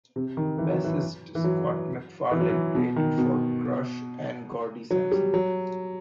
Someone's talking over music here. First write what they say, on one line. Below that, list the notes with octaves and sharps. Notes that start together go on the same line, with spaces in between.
Bassist Scott MacFarlane played for Crush and Gordie Sampson.
C3
D#3
E3
F#3
E3
E3
F#3
E3
F#3
E3
B2
D#3
B2
F#3
G3
F#3